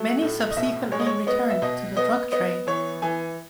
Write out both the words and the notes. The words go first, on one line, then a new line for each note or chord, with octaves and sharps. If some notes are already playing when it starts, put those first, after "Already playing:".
Many subsequently returned to the drug trade.
Already playing: F#3 A3
A2
D#5
B2 E5
G#3 C#5
D#5
C#5
B3 D#5
E5
B2 D#5
B3 D#5
B3 D#5
E3 C#5
E3 G#5